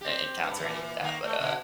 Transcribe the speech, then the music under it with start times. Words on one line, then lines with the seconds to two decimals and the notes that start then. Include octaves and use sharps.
en encounter any of that, but, uh,
0.01 C4 G4
0.43 G2
0.60 A#2 E3
1.01 D#3 A#3
1.24 A3
1.39 B2 D3